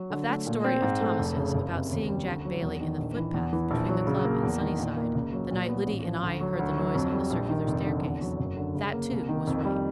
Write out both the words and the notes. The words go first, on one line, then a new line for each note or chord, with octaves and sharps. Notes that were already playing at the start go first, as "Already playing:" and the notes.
Of that story of Thomas', about seeing Jack Bailey in the footpath between the club and Sunnyside, the night Liddy and I heard the noise on the circular staircase--that, too, was right.
Already playing: F#3
D3
A3
A#2
C4
G#2
A3
F1
C#3
F#1
C3
D#2
G3
D2
F#3
E2
D#3
A#1
E3
E2
E3
A#1
F#3
C#3
A#3
E2
D#3
A#2
A#3
C#2
F#3
A#2
B3
A1
F3
D2
F#3
D2
F#3
F2
G3
A#1
D#3
F1
D3
E2
F#3
F#1
D3
C#3
A#3
C2
D#3
F2
G3